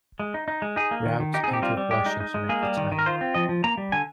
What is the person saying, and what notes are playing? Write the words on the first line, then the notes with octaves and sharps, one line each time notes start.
Routes entered Washington at the time.
G#3
D#4
D#4
G#3
D#4 G#4
A#3
D#3
D#3
D#4 G4
G#4
C4
G4
G3 F4
G3
G#3 G4
D#4
D#4
G#3
A#3 G#4
G3
D#3
D#3
A#4
F4 C5
C4
F3 D#5
F3
A#3 A#5
G3
D3 G#5